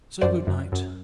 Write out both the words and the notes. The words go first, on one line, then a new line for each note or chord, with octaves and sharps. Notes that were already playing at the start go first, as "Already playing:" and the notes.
So good night.
F#2 C5 D5
F#2
F#2